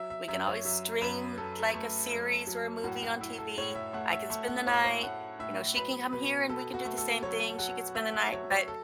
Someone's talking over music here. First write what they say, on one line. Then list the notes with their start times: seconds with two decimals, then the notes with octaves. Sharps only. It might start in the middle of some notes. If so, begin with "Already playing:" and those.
we can always stream, like, a series or a movie on TV, I can spend the night, you know, she can come here and we can do the same thing, she could spend the night, but,
Already playing: F#3 E5
0.10 E5
0.28 F#2 E5
0.47 C#5
0.65 F#3 E5
1.01 F#2 B4
1.38 F#3 A4
1.74 A3
2.11 F#2
2.47 F#3
2.84 A2 F#4
3.03 F#4
3.21 E4
3.38 A4
3.58 A2 C#5
3.75 E5
3.93 A3 F#5
4.12 E5
4.30 A3
4.48 F#5
4.66 A2 C#5
4.84 C#5
5.03 A3 F#5
5.39 A2 E5
5.76 F#3 B4
6.13 B2 B4
6.49 B2 A4
6.74 F#4
6.85 A3
6.98 A4
7.22 F#3 C#5
7.59 F#3 F#5
7.95 A3 E5
8.14 E5
8.32 F#3 C#5
8.50 C#5
8.68 A4